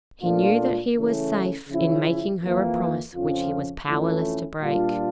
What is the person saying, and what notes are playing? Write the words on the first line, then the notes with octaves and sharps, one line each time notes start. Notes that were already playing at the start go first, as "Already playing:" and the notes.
He knew that he was safe in making her a promise which he was powerless to break.
A#2 A3 D4 F4
C#3 E3 A3 C#4 E4
C#3 F3 C#4 E4
F2 E3 A#3
F2 C#3 F3 C#4 F4
F2 E3 A3 C#4 E4
A#2 G3 D4 F4